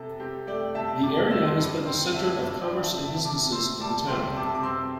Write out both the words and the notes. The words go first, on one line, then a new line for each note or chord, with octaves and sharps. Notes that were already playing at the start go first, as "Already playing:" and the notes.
The area has been the center of commerce and businesses in the town.
Already playing: C3 A4
C4 G4
A3 D5 G5
C3 E5 A5
C3 A5 D6
C4 E6
C6 E6
G2
C4 G5 C6
G3 E5 A5
G2 E5 A5
D5 G5
G2
E5 A5
C4
E5 A5
C3 A5 D6
C4 C6 E6
G3 A5 D6
C3 G5 C6
C3 A5 D6
D6
C4 C6 E6